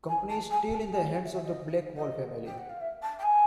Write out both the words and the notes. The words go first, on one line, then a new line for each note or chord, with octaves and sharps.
The company is still in the hands of the Blackwell family.
G#5
A5
G#5
A5
G#5
G#5
E5
E5
D#5
D#5
G5
F#5
F5
E5
A5
G5
G#5